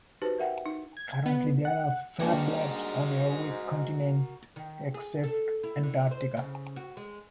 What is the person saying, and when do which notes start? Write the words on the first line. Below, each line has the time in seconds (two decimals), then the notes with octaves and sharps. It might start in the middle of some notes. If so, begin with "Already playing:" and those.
Currently there are Fab Labs on every continent except Antarctica.
0.22 D#4 F#4 G4 B4 C5 A5
0.38 A#4 E5 F#5 G5
0.66 D#4
0.97 G#6
1.26 B3
1.65 F#5
2.20 G#2 G3 A#3 D4 F#4 A#4 B4
4.56 D#3
4.94 G#4
5.23 A4
5.63 E4
5.83 D3
6.11 C5
6.37 C#3
6.76 F#4
6.97 G#3